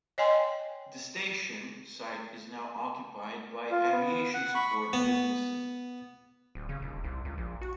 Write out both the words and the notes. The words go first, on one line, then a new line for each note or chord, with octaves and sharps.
The station site is now occupied by aviation support businesses.
C#5 D#5 G5 G#5 C6
F4
B3
F#5
B5 C#6
B3
D1
C#3
D#1
C2
C#2
A#1
F#4